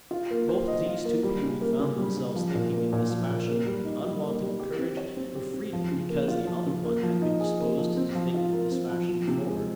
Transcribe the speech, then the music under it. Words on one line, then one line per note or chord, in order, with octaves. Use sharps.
Both these two people found themselves thinking in this fashion with an unwonted courage and freedom because the other one had been disposed to think in this fashion before.
F4
A#3
C5
D#5
F4
A#3
G3
C#3
A#3
C#3
G3
C#3
F3
A#2
A#3
A#2
F3
A#2
A#3
G3
D#4
G3
A#3
G3
G4
C4
C#5
C4
G4
C4
F3
C#3
A#3
F4
F3
C#3
A#3
F3
D#4
G#4
A#3
F3
C4
F3
F4
A#4
C4
F3
F3
C3
G#3